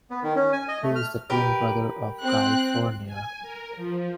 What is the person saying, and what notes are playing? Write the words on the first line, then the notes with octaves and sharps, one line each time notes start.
He is the twin brother of Guy Fournier.
B3
D#3
C#4
G#5
D#5
A3
F6
G4 A#4 B4
C4 F#6
G#5
A#4
F3